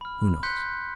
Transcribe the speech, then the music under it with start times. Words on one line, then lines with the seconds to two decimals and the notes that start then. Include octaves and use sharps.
Who knows?
0.01 B5 F6
0.43 C6 F#6 G6 B6 C#7